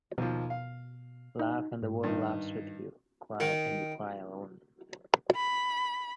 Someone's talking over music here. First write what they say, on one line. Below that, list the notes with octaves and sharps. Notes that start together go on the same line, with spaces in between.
Laugh and the world laughs with you. Cry and you cry alone.
D#2 B2 F3
F5
D#4
G#2
G2 D#3 D#4
D#3
B5